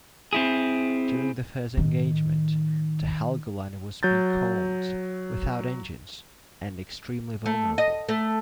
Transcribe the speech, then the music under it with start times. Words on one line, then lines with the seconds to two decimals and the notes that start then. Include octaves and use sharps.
During the first engagement, the Helgoland was becalmed, without engines and extremely vulnerable.
0.33 C4 E4 G#4
1.77 A2 D#3
4.03 F#3 G6 A6
7.46 A3
7.78 D#5
8.09 A3